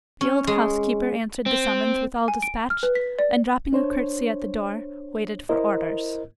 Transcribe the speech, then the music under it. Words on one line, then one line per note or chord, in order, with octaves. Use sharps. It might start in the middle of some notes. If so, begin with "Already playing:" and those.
The old housekeeper answered the summons with all dispatch; and dropping a curtsey at the door, waited for orders.
C#4
G#3
C4
G#5
D7
F6
B4
B6
D5
D4 C5 C#5
E4 A#4 C5 D#5